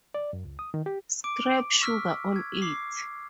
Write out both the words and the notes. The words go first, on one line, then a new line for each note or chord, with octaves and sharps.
Scrape sugar on it.
D5
F#2
C#2
D#6
D#3
G4
D6 D7
C#6 E6 F6 B6
G#6
D6 C7